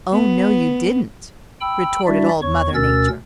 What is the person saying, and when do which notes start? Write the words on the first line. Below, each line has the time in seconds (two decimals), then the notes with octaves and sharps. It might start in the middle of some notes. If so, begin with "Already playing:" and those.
"Oh, no, you didn't," retorted Old Mother Nature.
0.13 B3
1.61 G5 B5 E6
2.07 G3 D4 E4 F#4 D5 E5
2.42 E2 C#5 C#6
2.74 D2 B2 C#4 A#4 E6 A6